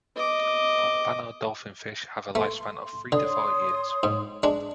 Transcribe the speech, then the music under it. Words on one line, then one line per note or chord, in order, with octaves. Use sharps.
Pompano dolphinfish have a lifespan of three to four years.
D#5 D6
A3 C6
C6
D3 C#5 C6 D#6
G#2
G#3 D4